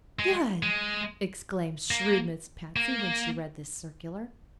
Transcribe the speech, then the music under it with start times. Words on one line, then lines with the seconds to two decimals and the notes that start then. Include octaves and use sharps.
"Good!" exclaimed shrewd Miss Patsy, when she read this circular.
0.19 G#3
0.63 G#3
1.91 A#3
2.76 A#3